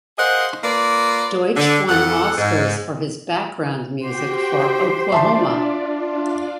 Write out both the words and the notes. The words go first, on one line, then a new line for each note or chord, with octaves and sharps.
Deutsch won Oscars for his background music for Oklahoma!
G#4 A#4 C5 D#5 F5 F#5
A#3 F4 B4 D5
D3
F2 A4 F#5
G#2
F#4 G4 C5 G5
D4 F4 D5 E5 A5 C6